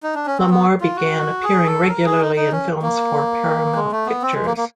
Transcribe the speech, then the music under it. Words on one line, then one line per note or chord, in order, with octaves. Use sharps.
Lamour began appearing regularly in films for Paramount Pictures.
D#4
D4
C#4
C4
B3
F4
F#4
G#4
A4
A#4
G#4
D#4
D#4
C#4
A#3
G#3
A3
B3
C4
G#3
A#3
A#3